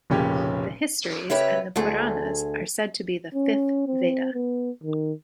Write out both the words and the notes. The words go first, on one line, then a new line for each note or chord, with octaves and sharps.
The histories and the Puranas are said to be the fifth Veda.
F1 A#2 C#3 C#4 G4 C#5
C#3 G4 B4 C#5 E5
D2 A3 G#4
C#4
C4
B3
D#3